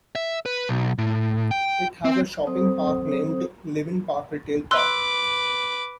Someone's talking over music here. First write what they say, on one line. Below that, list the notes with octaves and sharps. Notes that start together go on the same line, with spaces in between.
It has a shopping park named Leven Park retail park.
E5
B4
B1
A2
G5
C4
F#3 C4 A4 C5 D#6
B4 C6 D6 E6 F#6